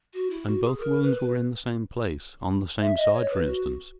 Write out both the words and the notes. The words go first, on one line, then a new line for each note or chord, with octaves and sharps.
"And both wounds were in the same place--on the same side, for instance?"
F#4
E4
F#4
G#4
A#4
B4
E5
D#5
C#5
B4
F#4